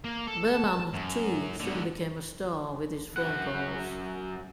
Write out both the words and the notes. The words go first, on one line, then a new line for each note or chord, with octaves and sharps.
Berman, too, soon became a star with his phone calls.
A#3
A4
A5
F#2
G#2 D3
F#2 F#5